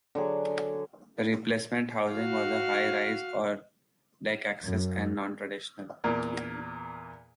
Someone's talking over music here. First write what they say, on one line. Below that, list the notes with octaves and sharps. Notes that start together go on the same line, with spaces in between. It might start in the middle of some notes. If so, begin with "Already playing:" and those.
The replacement housing was high rise or deck access and non-traditional.
D3 F#3 G#4
F#4 F5
F#2
E2 A#2 A#4 D5